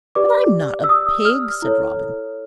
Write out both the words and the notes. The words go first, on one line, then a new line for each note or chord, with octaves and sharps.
"But I'm not a pig," said Robin.
G4 B4 D5 D6
E6
D#6
F6
E4 A4 C#5